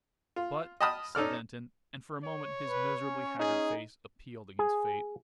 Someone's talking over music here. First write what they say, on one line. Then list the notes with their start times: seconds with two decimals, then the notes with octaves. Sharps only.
"But--" said Denton, and for a moment his miserably haggard face appealed against fate.
0.36 F4
0.81 D#5 G5 A5 B5 D#6 F6
1.15 C#4 D#4 A4 D5 F6
2.23 C#5
2.68 B4
3.02 C#4
3.39 D#4 G#4
4.59 G#4